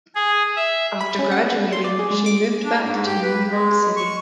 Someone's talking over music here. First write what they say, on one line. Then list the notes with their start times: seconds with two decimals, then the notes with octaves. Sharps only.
After graduating she moved back to New York City.
0.15 G#4
0.56 E5
1.01 B5
1.19 C#4
1.31 F#5
1.45 B3
1.57 D4
1.72 C6
1.84 D5
1.99 G#4
2.10 G#3
2.26 D6
2.65 D4
2.85 G#2
3.06 G4
3.22 B4
3.50 G#3
3.97 C#6